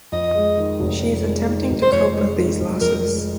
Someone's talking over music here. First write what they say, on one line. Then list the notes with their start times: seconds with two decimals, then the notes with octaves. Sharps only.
She is attempting to cope with these losses.
0.12 F2 D#5
0.35 G#3
0.58 D#3
0.80 F1
1.02 F2
1.24 G#3
1.47 D#3
1.70 F1
1.82 C5
1.92 F2 C#5
2.14 G#3
2.37 D#3
2.59 F1
2.81 F2 A#4
3.04 G#3